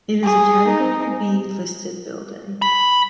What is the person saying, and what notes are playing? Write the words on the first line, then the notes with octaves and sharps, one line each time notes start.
It is a category B listed building.
G#4
D#4
B5